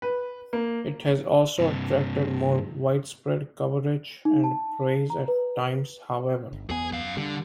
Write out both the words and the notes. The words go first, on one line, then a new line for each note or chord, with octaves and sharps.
It has also attracted more widespread coverage and praise at times, however.
B4
A#3
G2 C3
D#4
A5
A#5
B4
G1
E2 B3 G#4 G#5
F#2 F5
D3 G3